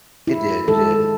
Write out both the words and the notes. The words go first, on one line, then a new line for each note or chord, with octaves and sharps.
It did. It did.
E4
D#3 G#3 A4